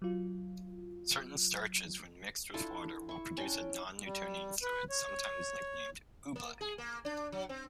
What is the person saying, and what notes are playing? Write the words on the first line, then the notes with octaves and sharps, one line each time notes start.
Certain starches, when mixed with water, will produce a non-newtonian fluid sometimes nicknamed "oobleck".
F#3 F4
D4 E4 F4 A4
E4 C#6
C#4 D4 G5
G3
B4
C#5
A#3
G#4
A#3
D4
F#3
C4